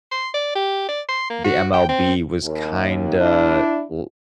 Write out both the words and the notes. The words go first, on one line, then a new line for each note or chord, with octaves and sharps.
the MLB was kinda l
C6
D5
G4
D5
C6
A#3
F#4
G5
C4
D#2
D4 E4